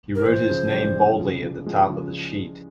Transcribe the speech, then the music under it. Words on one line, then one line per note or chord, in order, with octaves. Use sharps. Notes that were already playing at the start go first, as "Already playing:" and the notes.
He wrote his name boldly at the top of the sheet.
A#4
E3 C5
C#3 F3
E3 G3
E3 G3
C#3 F3
F3 G#3
C#3 F3